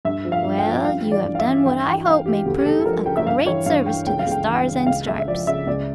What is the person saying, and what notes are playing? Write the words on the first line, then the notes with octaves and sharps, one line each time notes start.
Well, you have done what I hope may prove a great service to the Stars and Stripes.
G2 E5
F3
F5
G2
G5
F3
G2 F5
E3
D5
G2
F5
E5
E3
G2 G5
E3 G5
G2 F5
E3 G4
D2 G4
G4
D2 A4
A4
F3 A#4
C#3 G5
E5
G2 F5
E3 C#5
G2 F5
E3 G5
C#2 G5
F5
C#2 G5
E3
C#3
C#2 F5
C#2 E5
E5
F3 D5
C#3 E5
C#2 D5